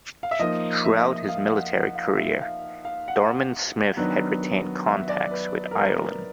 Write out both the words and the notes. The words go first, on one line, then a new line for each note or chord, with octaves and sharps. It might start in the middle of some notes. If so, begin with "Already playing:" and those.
Throughout his military career, Dorman-Smith had retained contacts with Ireland.
F5
E5
F3 A#3 D#4 D#5
E5
F5
F#5
F#5
F5
E5
F5
F5
F#5
D#3 F#3 B3 D4
E5
D5
B4
A#4
B4
A#4